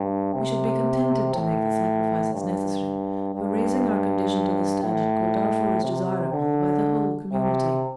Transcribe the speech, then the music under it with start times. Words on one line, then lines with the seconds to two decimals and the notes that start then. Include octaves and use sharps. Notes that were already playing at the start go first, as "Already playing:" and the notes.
We should be contented to make the sacrifices necessary for raising our condition to the standard called out for as desirable by the whole community.
Already playing: G2
0.34 C3
1.35 A2
2.34 G2
3.35 G2
4.84 A2
5.84 C3
6.33 D3
7.33 C3